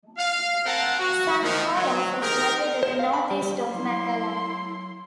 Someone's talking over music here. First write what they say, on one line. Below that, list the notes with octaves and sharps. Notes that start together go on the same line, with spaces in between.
San Carlos is located northeast of McAllen.
F5
C4 A#4 F5 F#5 A5 A#5
F#4
D#3 F3
F#3
D#3 G4 G#4 A#4
C5
F5
B5
G3
G3
F#3 E4 C6